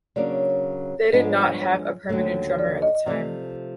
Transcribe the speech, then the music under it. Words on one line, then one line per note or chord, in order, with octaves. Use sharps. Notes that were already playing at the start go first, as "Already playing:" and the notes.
They did not have a permanent drummer at the time.
C#3 F#3 A#3 D4 D5
G#2 F3 G#3 B3 D4 D#5
C#5
C#5
C#5
D#2 D3 F#3 A3
C#5
D5
D#5
D#5
C3 F3 A3 D5